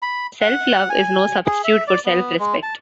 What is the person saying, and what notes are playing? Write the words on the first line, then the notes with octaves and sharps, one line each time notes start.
Self-love is no substitute for self-respect.
B5
F#5
G#5
G#4
E5
D5
B3
G#3
A5